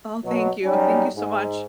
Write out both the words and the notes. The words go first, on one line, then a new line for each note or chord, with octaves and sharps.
Oh, thank you, thank you so much.
B2 F#3
F#3 G3 C#4 D#4
G#2